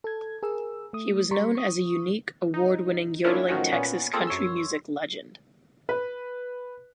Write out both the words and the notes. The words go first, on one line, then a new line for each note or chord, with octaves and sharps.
He was known as a unique, award-winning yodeling Texas country music legend.
A4 G#6
G#4 A#4 E6
A3 D#6
G3 A#5 C6 C#6 B6 C#7
C#6 D#6
D#4
A#3 C#4 D4 E4 F4
A2 D#3 F3 F#3 C#4 F#4
A#2 B3 C#4
A#3 C4 F4 G#4 A4
F#2 C#5 C6 E6
B4